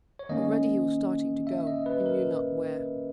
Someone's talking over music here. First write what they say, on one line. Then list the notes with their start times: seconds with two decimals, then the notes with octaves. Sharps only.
Already he was starting to go, he knew not where.
0.19 C#5
0.29 D#3 A#3 C#4 D#5
1.47 E5
1.67 D#5
1.86 B4
2.06 A#4